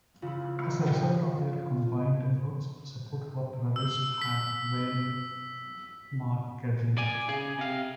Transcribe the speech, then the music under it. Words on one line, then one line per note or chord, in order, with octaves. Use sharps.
As a result of their combined efforts, support for terrorists had waned markedly.
C#3 E3 E4 F4
E6
B6
D5 G#5
C#3 G#4
C3 F5